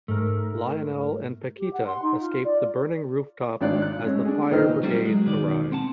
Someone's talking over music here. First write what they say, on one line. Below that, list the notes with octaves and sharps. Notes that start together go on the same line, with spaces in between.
Lionel and Paquita escape the burning rooftop as the fire brigade arrives.
G#2 A3 A#4
G4
F#5
C6
D#4
F4
D5
G#1 D4 C#5 D5 F5 F#6
F#6
G#3 A3 C#4
D4 G#4
A#2 D#3 B4 C5 D#5 F6
F#3 G3 A3 C4 D4 F#4
F#3 G#3
D#2 B2 D#3 D5
C4 F#5 A5